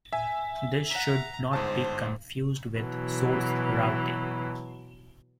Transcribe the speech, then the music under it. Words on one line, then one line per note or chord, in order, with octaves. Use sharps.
This should not be confused with source routing.
E5 G#5
F#5 A#5 B6
G1 G#2 C5 A5
B2 E3 F#3